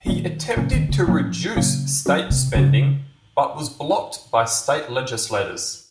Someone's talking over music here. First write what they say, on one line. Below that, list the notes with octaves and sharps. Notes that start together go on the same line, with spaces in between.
He attempted to reduce state spending but was blocked by state legislators.
A#2 D#3 F#3 A#3 C#4
A#2 C#3 F#3 A#3 C#4
D#3
C#3
A#2 F3 F#3 A#3 C#4
A#2 C#3 F#3 A#3 C#4
F#3 C#4 F#4
C3
C#3 F#3 C#4 F#4